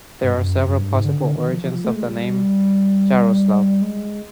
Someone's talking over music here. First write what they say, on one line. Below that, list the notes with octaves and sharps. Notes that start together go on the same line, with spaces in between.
There are several possible origins of the name Jaroslav.
G2
F#2
F#2
G2
G#2
D3
D3
D#3
F3
F3
F3
A3
G#3
G3
G#3